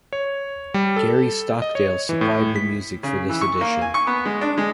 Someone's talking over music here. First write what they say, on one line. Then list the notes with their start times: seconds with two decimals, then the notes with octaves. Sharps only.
Gary Stockdale supplied the music for this edition.
0.13 C#5
0.74 G3
0.96 A4
1.62 D#5
1.75 C#5
2.09 E3
2.21 A2
2.56 B6
3.03 C#3
3.29 E3
3.41 C#6
3.61 A#3
3.81 G#5
3.94 C#6
4.07 B3
4.25 G#3
4.41 D4
4.57 G#3